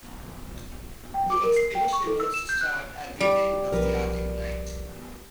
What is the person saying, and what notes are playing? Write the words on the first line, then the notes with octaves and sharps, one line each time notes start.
The expedition was to start at the end of the Arctic Night.
G5
D6
A#4
C7
G5
C#6
A4
E6
E7
G6
F#6
G3 D5
B1 F3 A#4 B4